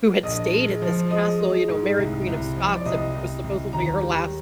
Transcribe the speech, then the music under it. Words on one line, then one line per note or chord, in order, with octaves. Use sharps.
who had stayed at this castle, you know, Mary, Queen of Scots, it was supposedly her last,
A#1 D#5
G#3
F3
G#3 D#5
G#3
G#2
C2
C2
F3
D5
C2 D#5
C2
C2
D#2 A#5
G3